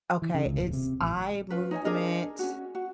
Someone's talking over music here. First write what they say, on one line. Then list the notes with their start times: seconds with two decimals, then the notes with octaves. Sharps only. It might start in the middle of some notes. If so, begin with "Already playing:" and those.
Okay, it's eye movement
0.22 E3
0.35 C#3
0.46 C#2
0.58 D#1
0.73 C3
1.01 A1
1.50 C#4 F4 B4
1.71 D#4 C#5 D#5 G#5
1.84 D4 G#4 A#4 D#5
2.39 C#4 F#4
2.75 F#4